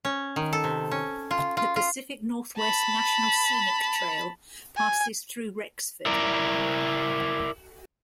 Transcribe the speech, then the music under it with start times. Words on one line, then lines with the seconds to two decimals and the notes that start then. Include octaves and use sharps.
The Pacific Northwest National Scenic Trail passes through Rexford.
0.05 C#4
0.36 D#3
0.53 A4
0.64 C3
0.91 C#4
1.31 F4
1.57 F4
1.76 F4
2.58 A5 B5
4.77 G#5
6.06 E4 A#4 D5